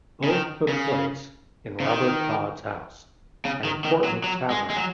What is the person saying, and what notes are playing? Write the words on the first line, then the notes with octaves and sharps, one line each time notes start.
Both took place in Robert Todd's house, an important tavern.
C#3
D#3
C#3
C#3
D#3
C#3
D#3
D#3
F#3
F#3
G#3
G#3
F#3